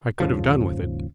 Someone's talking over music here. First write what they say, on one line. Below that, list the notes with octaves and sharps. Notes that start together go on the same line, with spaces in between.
I could have done with it.
D#2 G#2 C#3 F3